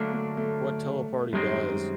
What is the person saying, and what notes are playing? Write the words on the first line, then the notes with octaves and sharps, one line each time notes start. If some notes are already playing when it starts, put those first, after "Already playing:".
what Teleparty does
Already playing: D3 F#3 A3 A#3 D4
A3
A3
F#2 D#3 G3 G#3 C4